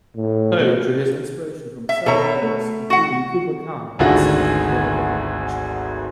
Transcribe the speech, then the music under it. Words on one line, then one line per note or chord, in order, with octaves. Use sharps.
Poe drew his inspiration from several works, including "Kubla Khan" by Samuel Taylor Coleridge.
A2
B2
E5
B2 A4 C#5 E5 A#5
A3
F#4 F#5
G#1 D2 D3 F#4 G#4